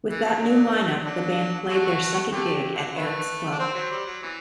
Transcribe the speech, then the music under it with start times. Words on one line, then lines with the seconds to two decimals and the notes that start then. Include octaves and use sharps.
With that new line-up, the band played their second gig at Eric's Club.
0.10 E3
0.25 D3 F#3
0.41 D4
1.04 D3 F#3 D4
1.69 D3 F#3 A3 F#4
2.32 D3 F#3 A3 G4
2.53 F#3
2.74 D3 F#3
2.95 A3 B4
3.51 D4
3.59 C4 C5
3.75 F#3
3.91 G3
4.06 F#3
4.23 E3